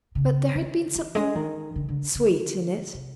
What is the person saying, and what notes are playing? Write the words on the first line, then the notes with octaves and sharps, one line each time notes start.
But there had been something sweet in it.
C#3
D#3
E3
G#3
D#3
D3
D3
D3
D3
C3